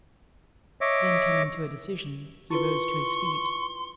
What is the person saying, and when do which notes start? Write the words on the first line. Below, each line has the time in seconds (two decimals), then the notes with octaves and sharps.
Then coming to a decision, he rose to his feet.
0.81 C#5 D#5 E5 D6
2.50 E4 F4 B4 C6 C#6